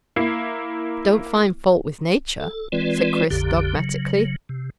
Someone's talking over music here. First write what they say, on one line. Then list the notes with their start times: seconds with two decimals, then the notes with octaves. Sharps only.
"Don't find fault with nature," said Chris dogmatically.
0.16 A#3 E4 C7
2.40 A4
2.72 E3 G#3 C4 F4 B4 D5
3.31 A#1 F2 D3 G4
3.75 C#3 F#3
4.49 C3